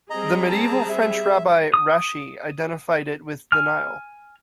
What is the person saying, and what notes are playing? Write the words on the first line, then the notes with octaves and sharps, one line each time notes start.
The medieval French rabbi Rashi identified it with the Nile.
G3 C4 G#4 D#5 A#5
A5 A#5
E5
D#6
G#5 F6